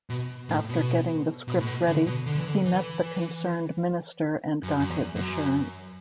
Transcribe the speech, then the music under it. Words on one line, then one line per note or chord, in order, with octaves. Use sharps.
After getting the script ready, he met the concerned minister and got his assurance.
B2
A2
B2
B2
A2
B2
D3
B2
D3
E3
D3
E3
F#2
F#2
E2
F#2